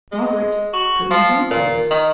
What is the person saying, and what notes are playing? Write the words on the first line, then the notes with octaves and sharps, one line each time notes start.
Margaret could not answer this.
G#3
F#4
F3
A#2
D#3